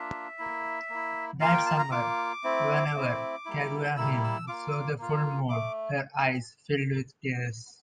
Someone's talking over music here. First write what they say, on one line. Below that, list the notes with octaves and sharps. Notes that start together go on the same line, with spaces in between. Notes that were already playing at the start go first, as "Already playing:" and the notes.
That summer, whenever Kaguya-hime saw the full moon, her eyes filled with tears.
Already playing: A#3 D4 F4 E5
A#3 E4
A#3 E4
A#3 F4 F5
G5
A5
A#5
A#3 F4 D6
A3 C4 E4
A3 C4 E4
G3 A#3 E4
G3 A#3 E4 E6
E6
A#3 F4 D6
A#3 F4
A3 D6